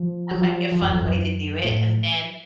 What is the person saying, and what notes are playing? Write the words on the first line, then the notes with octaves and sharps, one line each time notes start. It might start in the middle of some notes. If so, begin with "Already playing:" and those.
that might be a fun way to do it. And then,
Already playing: F3
F#3
F3
F3
F#2
F2
F#2
A2